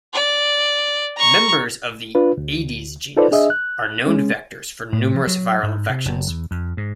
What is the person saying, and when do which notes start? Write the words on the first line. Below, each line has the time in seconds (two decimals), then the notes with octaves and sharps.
Members of the "Aedes" genus are known vectors for numerous viral infections.
0.14 D5
1.17 A#5 C#6
2.15 D4 F4 B4
2.37 D2
3.17 D#4 F4 A4 B4 C5 D5
3.31 D4 G#4 D#5 E5
3.50 F#6
4.06 G#3 C#4
4.93 A2
5.15 F3
5.27 F#3
5.63 G#2
5.90 C3
6.05 F#1
6.28 E2
6.51 F2
6.77 G#2